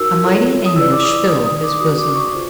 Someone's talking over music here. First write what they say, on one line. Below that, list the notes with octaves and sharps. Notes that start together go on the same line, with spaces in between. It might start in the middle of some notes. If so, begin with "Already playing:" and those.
A mighty anguish filled his bosom.
Already playing: D#4 F#4 A#4 E6
F4 A4 C#5
D#6
E4 G#4 B4 D5 E6
D6
D#6
D#4 G#4 B4 D5 D#6
D#6
D6
F#4 B4 D5 D#6
D6
C#6
F4 G#4 C5